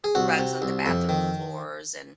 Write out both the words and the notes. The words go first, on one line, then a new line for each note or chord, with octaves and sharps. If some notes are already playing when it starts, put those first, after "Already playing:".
rugs on the bathroom floors and,
G#4
C2 F#4
C3
C2
F2
D#3